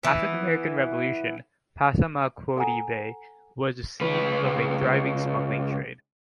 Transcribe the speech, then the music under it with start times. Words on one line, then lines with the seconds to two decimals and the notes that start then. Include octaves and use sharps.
After the American Revolution, Passamaquoddy Bay was the scene of a thriving smuggling trade.
0.03 E3 B3
2.57 A4 F5 F#5 G#5 A#5
4.01 C#2 B4